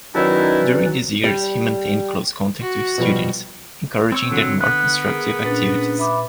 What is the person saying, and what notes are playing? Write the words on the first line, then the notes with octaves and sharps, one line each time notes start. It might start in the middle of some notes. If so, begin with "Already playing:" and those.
During these years he maintained close contact with students, encouraging their more constructive activities.
D#3 F#3 C#4 D#4 E4 B4 D5
G3
F#4
B2 F3 G3
C4 C#5 E6
D3 F#3
B3 F#6
G#4 A#4
A#2 C#4 D4 B4 A6
E5 B5 D6